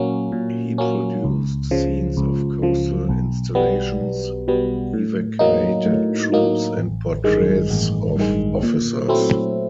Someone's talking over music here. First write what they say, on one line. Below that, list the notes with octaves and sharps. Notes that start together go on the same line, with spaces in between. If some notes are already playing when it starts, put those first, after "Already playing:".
He produced scenes of coastal installations, evacuated troops and portraits of officers.
Already playing: A#2 F#3 A#3 C#4
A#2
F#3 A#3 C#4
C#2
C#3 F3
C#2
C#3 F3
B1
B2 G3 B3
B1
B2 G3 B3
A2
F#3 A#3 D#4
A2
F#3 A#3 D#4
A1
G2 D#3 G#3
A1
G2 D#3 G#3
A#2
F#3 A3 C4 E4